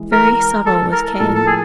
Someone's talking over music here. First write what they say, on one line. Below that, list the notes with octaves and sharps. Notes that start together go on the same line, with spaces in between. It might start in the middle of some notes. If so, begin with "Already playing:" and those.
Very subtle was Kay.
Already playing: E3 G#3
A#4
A4
A#4
A2 F3 A#3 A4
A4
G#4